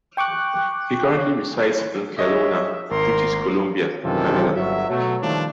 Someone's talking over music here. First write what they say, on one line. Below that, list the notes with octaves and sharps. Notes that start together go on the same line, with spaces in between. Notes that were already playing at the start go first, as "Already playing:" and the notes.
He currently resides in Kelowna, British Columbia, Canada.
G5 C#6 D6 F#6
C#5 D#5 E5
G#1 A#4 C6
F#2 C3 D#3 E3 F4 A4
G1 F#3 E5
B2 F#3 A3
D#3 F3 G3 A3 A#3 D4